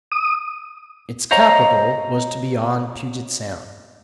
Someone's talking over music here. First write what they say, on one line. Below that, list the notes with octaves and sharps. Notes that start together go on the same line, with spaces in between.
Its capital was to be on Puget Sound.
D#6
C5 C#5 D#5 F5 A#5